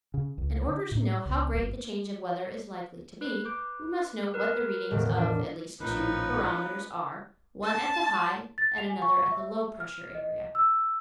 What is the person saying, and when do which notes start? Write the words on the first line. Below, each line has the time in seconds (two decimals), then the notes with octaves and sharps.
In order to know how great the change of weather is likely to be, we must know what the readings of at least two barometers are--one at the high- and another at the low-pressure area.
0.14 C#3
0.38 C#2
0.67 D3
0.91 A2
1.26 C#2
1.54 G1
3.21 B4
3.45 D6 G6
4.34 A#4 B4
4.91 E1 A2 D#3
5.18 E3 D4 A#4
5.80 A#1 A2 D#3 F3 C#4 D#4 B4
7.63 A5
8.58 A6
8.78 F7
8.90 G#5
9.02 C#6
9.32 E5
9.80 F6
10.15 D#5
10.55 E6